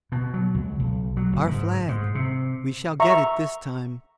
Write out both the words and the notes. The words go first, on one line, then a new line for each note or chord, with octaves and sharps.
"Our flag--we shall get it this time."
B2
F#3
C#2
B1
F#3
F#1
G#2
G#2
C3
E5 A#5 C#6